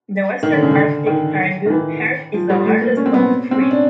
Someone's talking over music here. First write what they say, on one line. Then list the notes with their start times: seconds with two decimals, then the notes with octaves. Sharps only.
The Western Arctic caribou herd is the largest of the three.
0.43 D#3
0.53 D3
0.63 C#3
0.71 D3
1.06 D#3
1.66 D#3
1.70 E3
2.34 F3
2.50 G3
2.65 A3
2.82 A#3
2.97 C#4
3.06 C4
3.14 B3
3.23 C4
3.51 C4
3.60 C#4
3.71 D4